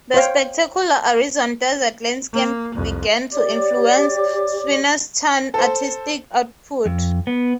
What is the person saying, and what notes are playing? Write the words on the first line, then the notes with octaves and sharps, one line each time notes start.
The spectacular Arizona desert landscape began to influence Swinnerton's artistic output.
C5 C#5 F5 G5
A#3
C2 F2
G4 C#5 D5 D6
A4 C5
F2
B3